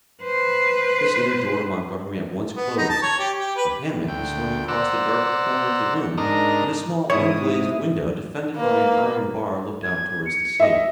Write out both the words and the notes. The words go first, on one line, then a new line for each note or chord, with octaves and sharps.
This inner door Montgomery at once closed. A hammock was slung across the darker corner of the room, and a small unglazed window defended by an iron bar looked out towards the sea.
B4 C5
B3
D#4
A5
C#5
G4
G4
B4
D2 G5
C5 D5 F#5 A#5 E6
G#2 D4 D#4 A#4 D#5 A#5
G#2 E4 C#5 D#6
A#3 B4
G#6
C#7
D#5 E5